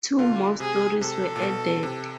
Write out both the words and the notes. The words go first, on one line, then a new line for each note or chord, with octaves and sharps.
Two more stories were added.
D3 F4
C3 G#4
C3 A4
A#2
B2
C3